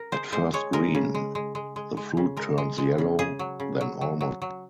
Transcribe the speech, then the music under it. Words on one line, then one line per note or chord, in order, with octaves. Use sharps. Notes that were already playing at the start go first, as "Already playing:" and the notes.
At first green, the fruit turns yellow then almost white as it ripens.
Already playing: A#4
G#3 C5
G#3 C5
G#3 C#5
G#3 A#4
C#3
G#3
G#3
G#3
G#3
G#3
C#3
G#3 A#4
G#3
G#3
C#3
C#3 G#4
F#3
C#3
F#3
F#3
F#3
F#3